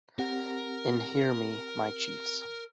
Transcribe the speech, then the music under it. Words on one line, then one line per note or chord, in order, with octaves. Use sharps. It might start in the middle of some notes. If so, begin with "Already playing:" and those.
In Hear Me, My Chiefs!
C4 G4 A#4 F#5